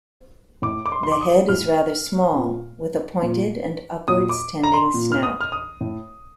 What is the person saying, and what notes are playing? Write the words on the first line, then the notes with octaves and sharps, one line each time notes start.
The head is rather small, with a pointed and upwards-tending snout.
A2 D6
D6
C6
C6
D6
D#6
A2 F6
A#2
A#2
A#2 D#6
D6
A#5
C6
A#2
F6
D#6
F6
D#6
A2